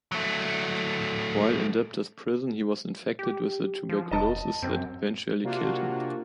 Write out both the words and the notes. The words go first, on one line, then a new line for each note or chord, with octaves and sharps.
While in debtor's prison he was infected with the tuberculosis that eventually killed him.
F#3 A3
G4
F3
F1 D#5 A5
F#2 C4
C3 A#3 D4 F4 F#4